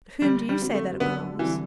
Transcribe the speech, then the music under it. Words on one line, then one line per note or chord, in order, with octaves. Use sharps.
"To whom do you say that it belongs?"
D3 G3
G3
G3 C4 F#4
A3
D3 B3
E3 G3 C4 F#4